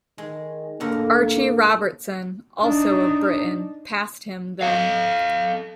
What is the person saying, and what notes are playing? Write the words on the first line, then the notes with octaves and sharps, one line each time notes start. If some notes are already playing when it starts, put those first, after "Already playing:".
Archie Robertson, also of Britain, passed him then.
D#3 G#3
A2 D3 A#3 A#4
D4 D#4
A4 F5